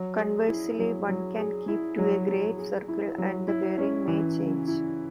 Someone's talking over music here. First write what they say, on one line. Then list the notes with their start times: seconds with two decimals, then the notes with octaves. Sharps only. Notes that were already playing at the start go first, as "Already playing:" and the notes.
Conversely, one can keep to a great circle and the bearing may change.
Already playing: F#3
0.18 G#4
0.48 E4
0.79 F#3
1.08 F#3
1.38 G#4
1.68 E4
1.98 F#3
2.28 F#3
2.58 G#4
2.88 E4
3.18 F#3
3.48 E4
3.78 C#4
4.08 E3
4.38 C#3
4.68 E4